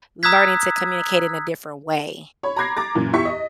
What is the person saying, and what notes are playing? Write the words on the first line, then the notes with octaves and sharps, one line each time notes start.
learning to communicate in a different way.
A#5 D#6 E6 F#6 G#6 B6
C#5 B5
A#5 B5 D6 G#6 A#6 C7
A#5 D6 A6
F#2 A#2 E3
E2 E4 G4 E5 C#6 B6
D#5